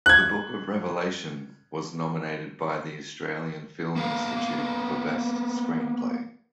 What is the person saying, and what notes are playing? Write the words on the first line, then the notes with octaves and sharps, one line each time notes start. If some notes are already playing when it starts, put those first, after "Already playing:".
"The Book of Revelation" was nominated by the Australian Film Institute for Best Screenplay.
F#6 G#6
A#3 B3 B4 F5